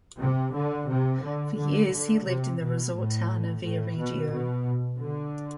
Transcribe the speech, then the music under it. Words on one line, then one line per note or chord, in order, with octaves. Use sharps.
For years, he lived in the resort town of Viareggio.
C3
D3
C3
D3
D3
D3
C3
B2
A2
A2
B2
B2
D3